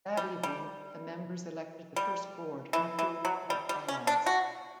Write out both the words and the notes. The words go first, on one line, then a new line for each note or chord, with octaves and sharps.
That evening the members elected the first board and approved club bylaws.
G3
G3
G3
E3
E3
F#3
G3
G3
C#4
D4
F#4